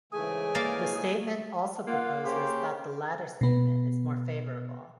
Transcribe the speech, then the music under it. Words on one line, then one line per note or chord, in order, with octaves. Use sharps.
The statement also proposes that the latter statement is more favorable.
G#2 C#3 E3 A3 G#4 G#5
A#3 D5 F5
A#3 F4 F#5
C#3 G4 C5
B2 B3